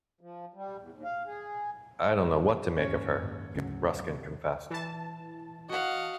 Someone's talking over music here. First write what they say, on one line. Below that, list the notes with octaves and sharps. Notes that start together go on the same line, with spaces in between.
'I don't know what to make of her', Ruskin confessed.
F3
G3
E2
D#2
F5
G#4
F#1 D#2 G#2 C#4 C#5
D2 G#2 C#3 F#3
G2 C3
E3 A5
F#4 D#5 F5 F#5